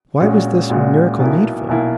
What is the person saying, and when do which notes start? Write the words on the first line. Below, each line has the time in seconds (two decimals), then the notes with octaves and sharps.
Why was this miracle needful?
0.21 A#1 A#2 G#3 C#4 F#4
0.70 A#1 A#2 G#3 C#4 F#4
1.19 B1 B2 A#3 E4
1.68 B1 B2 A#3 E4